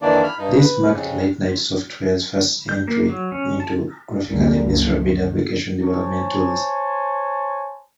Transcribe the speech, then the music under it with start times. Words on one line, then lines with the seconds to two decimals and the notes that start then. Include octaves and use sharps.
This marked Late Night Software's first entry into graphically-based rapid application development tools.
0.02 F2 D#3 E3 A#3 D4 D5
0.23 B5 F6
0.38 G2 D#4
0.59 B4
0.93 F2 C#3
2.69 G6
2.87 A#3
3.09 F#3
3.32 C#4
3.60 A5
4.32 F1 D2 G#2 G3 G#3 A#3
4.69 C#2 F#2 C#3 F3
5.04 D#3
5.84 C5 C#5 G#5 A5